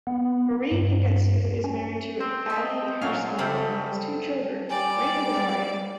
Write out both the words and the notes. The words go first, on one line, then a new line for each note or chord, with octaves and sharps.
Mari Pangestu is married to Adi Harsono and has two children, Raymond and Arya.
B3
G2
C#4
C4 C5
B4 D#5 E5
A#2 F#3 C#4 C#5 F5 F#5 G#5 A5
F#2 C#3 G3 C4 A4
G3 D5 G#5